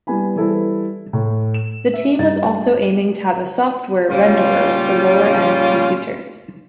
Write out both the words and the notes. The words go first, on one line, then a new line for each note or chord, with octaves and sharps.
The team was also aiming to have a software renderer for lower-end computers.
G3 B3 E4 G#5 B5
E3 G3 E4 A4 B4 C5
A2
E7
E5
G2 D#5 A6
A#2 C#3 G3 C#4 F4